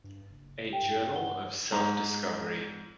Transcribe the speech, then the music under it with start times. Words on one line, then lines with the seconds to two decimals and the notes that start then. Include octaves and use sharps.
A Journal of Self-Discovery.
0.04 G2
0.29 F#1
0.70 G4 G5
0.83 G2
1.13 F#5 G7
1.72 G#2 A#5